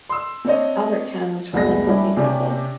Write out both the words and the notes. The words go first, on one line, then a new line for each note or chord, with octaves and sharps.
Albert Town was formerly called Newcastle.
C6 E6
C4 D4 C#5 D#5
F1 C2 G#3 B3 A#6
G3 C#4 D4 E4
C3 C#4 D4 G4